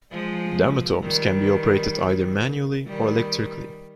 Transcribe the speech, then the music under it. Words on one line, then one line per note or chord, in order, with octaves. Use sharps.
Dermatomes can be operated either manually or electrically.
F3 G#3
D#3 G3
D#3 G3